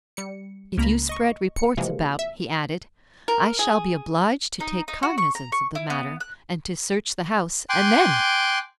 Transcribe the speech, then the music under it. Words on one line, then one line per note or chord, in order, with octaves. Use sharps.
"If you spread reports about," he added, "I shall be obliged to take cognizance of the matter, and to search the house, and then!..."
G3 C#7
C#2 A#3 A#5 B5
D#5 C#6
C#7
C3 E3 F3 G#3 A#3
E5
A#4
G#4
D#4
D#4
F#4
C#6
A#5
C#6
E4
B3
F#6
G5 G#5 C6 D6 F#6